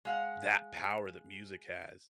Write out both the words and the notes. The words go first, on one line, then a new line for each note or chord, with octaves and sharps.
that power that music has.
G#3 F5 F#5